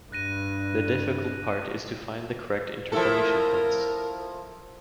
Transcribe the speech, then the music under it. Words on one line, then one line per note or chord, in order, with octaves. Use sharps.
The difficult part is to find the correct interpolation points.
G2 F#6 A#6 D#7
F3 E4 A4 A#4